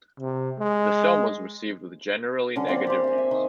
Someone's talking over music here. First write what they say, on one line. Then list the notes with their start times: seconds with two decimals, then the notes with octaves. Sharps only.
The film was received with generally negative reviews.
0.20 C3
0.60 G#3
2.56 D3 C#4
2.67 A#3 C4 A#4 D5
2.87 G4 C5
3.04 E5 G#5
3.18 E5
3.31 D#3